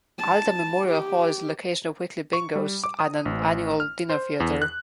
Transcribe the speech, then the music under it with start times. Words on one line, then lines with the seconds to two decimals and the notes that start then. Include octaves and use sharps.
Alida Memorial Hall is the location of weekly bingos and an annual dinner theatre.
0.18 A5
0.88 G4
2.33 C#6
2.56 G3
2.84 D6
2.99 D#6
3.25 A1
3.80 F6
4.10 C5
4.40 E2
4.62 F#6